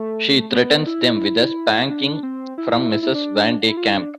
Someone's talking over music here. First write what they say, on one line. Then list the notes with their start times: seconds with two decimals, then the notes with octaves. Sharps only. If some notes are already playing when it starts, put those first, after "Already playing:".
She threatens them with a spanking -- from Mrs. Van De Kamp.
Already playing: A3
0.52 B3
0.86 E4
1.89 D4
2.23 C4
2.58 E4
2.92 E4
3.03 E4
3.15 D4
3.68 E4
3.77 F4
3.85 E4
3.94 D4